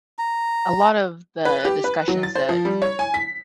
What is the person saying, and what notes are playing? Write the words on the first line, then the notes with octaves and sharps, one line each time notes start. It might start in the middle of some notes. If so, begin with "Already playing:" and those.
the, uh, a lot of the discussions that,
A#5
B4
G4
B4
F#3
A6
C5
F3
G3
C#5
G#5
B6